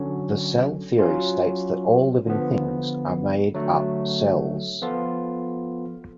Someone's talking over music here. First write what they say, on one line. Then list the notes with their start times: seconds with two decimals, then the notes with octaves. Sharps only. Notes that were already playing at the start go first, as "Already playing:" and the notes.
The cell theory states that all living things are made up cells.
Already playing: D3 F#3 C#4
0.99 F#3 C#4 F4
2.26 D3 F3 B3
3.54 D3 F#3 A3
4.82 F3 B3 F4 A4